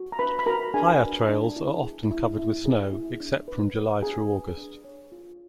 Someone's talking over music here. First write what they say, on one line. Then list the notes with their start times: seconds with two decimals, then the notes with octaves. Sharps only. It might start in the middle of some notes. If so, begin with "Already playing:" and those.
Higher trails are often covered with snow except from July through August.
Already playing: F#4
0.12 A#5
0.19 D4 B4 B5
0.39 B5
0.46 F#4 A#4 A#5
0.74 D4 G#4 G#5
1.01 B4
1.29 D4
1.56 E4
1.83 G#4
2.11 E4
2.38 E4
2.66 G#4
2.93 E4
3.20 D4
3.48 B4
3.75 B4
4.02 D4 G#4 G#5
4.30 B4
4.57 D4
4.84 C#5
5.12 F4